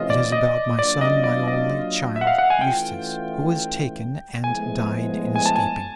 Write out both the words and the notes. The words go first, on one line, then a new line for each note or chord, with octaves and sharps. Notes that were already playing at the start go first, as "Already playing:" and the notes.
It is about my son, my only child, Eustace, who was taken and died in escaping.
Already playing: C3 E3 A3 C#4 F4 D#5
D5
D#5
F#3 A#3 D4 F4 D5
D#5
D5
D#5
E5
F#5
F5
F#5
G#5
E3 A3 C#4 F4 G5
A2 F3 G#3 B3 G#5
G#5
A5
G#5